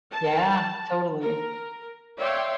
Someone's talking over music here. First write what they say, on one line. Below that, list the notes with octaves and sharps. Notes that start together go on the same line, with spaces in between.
Yeah, totally.
A5
A#4
C#5 D5 E5 F5 G5 C6